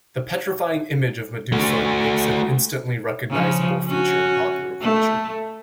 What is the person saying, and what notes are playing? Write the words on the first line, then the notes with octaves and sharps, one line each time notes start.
The petrifying image of Medusa makes an instantly recognizable feature in popular culture.
A3 F#4
C#3 F3
C#4 F#4
A3